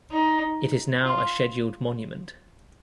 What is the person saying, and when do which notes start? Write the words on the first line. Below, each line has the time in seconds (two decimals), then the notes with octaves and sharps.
It is now a Scheduled Monument.
0.12 D#4
1.06 F4